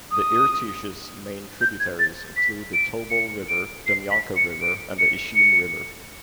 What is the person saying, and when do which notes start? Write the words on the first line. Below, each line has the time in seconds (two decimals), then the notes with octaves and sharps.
The Irtysh's main tributaries include the Tobol River, Demyanka River and the Ishim River.
0.12 D#6
1.61 G6
1.80 G#6
1.99 A6
2.37 B6
2.74 D7
3.11 C#7
3.49 D7
3.87 C7
4.11 B6
4.37 C#7
4.62 D7
4.99 C#7
5.36 C#7